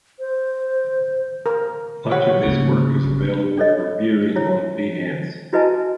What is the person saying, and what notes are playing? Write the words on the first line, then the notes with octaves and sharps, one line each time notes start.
Much of his work is available for viewing on Behance.
C5
A#4
G4 B4 C#5 F#5
G#2 C#3 A#3
G1
D4 A4 C#5 D#5
E4 C#5
E4 F#4 B4 D#5 G#5 A5